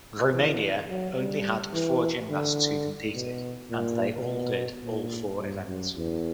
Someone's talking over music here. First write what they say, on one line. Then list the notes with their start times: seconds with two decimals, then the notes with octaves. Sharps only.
Romania only had four gymnasts who competed and they all did all four events.
0.33 E3
0.89 F#3
1.17 G3
1.73 E3
2.30 D3
3.14 B2
3.70 A#2
4.27 B2
4.83 A#2
5.39 G2
5.67 F#2
5.95 E2